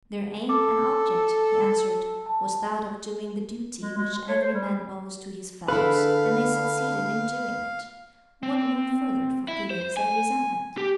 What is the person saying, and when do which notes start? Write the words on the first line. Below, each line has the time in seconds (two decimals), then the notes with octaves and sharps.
"Their aim and object," he answered, "was that of doing the duty which every man owes to his fellows, and they succeeded in doing it;--what room further for feelings of resentment?"
0.49 A4 D6
2.26 A5
3.81 G#3
3.97 G#3
4.14 G#3
4.29 C#5
4.42 C5
4.53 G3
5.68 D3 E4 G#4 A4 B4 F5
8.43 C4
9.48 E4
9.70 C5
9.97 G#5
10.78 G4